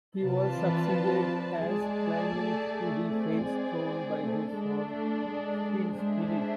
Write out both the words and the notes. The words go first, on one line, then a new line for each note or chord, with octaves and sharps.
He was succeeded as claimant to the French throne by his son Prince Philippe.
C3 C4 F4 B4 D5 A5
E3
F3
G#3 G#4 D5 A5
A3
C4 G#4 D5
G#3
A3
G#3 D4 A4 D5
A3
G#3
G#3 A3 D4 G#4 C5 E5